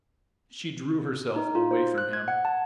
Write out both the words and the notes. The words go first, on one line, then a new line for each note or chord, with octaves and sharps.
She drew herself away from him.
D#4
F4
C5
F#6
G#6
F#5
A5